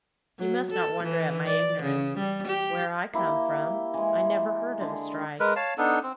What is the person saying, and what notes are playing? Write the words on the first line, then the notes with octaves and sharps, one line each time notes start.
You must not wonder at my ignorance; where I come from I never heard of a strike.'
F#3
A4
E3
D5
C#3
G3
G4
A#3 E4 G4 G5
E3 G#3
D3 G#3
G#3 A#4 B4
C#5 F5 A5
B3 D4 D#4 A4
C4